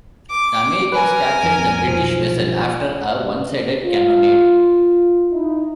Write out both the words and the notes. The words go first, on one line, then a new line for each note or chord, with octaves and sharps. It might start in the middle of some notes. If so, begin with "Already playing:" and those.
The Americans captured the British vessel after a one-sided cannonade.
D6
A#4 B4 G#5
F2
B1 F3
F4
D#4 E4